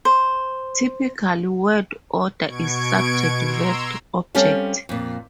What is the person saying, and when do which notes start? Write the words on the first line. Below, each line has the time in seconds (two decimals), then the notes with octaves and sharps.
Typical word order is subject-verb-object.
0.05 C5
2.43 B2 C#6 G#6 D7
3.45 A#5 C6 E6
4.35 G3 C4 C#4 G4 A4 F5
4.89 F2 A#2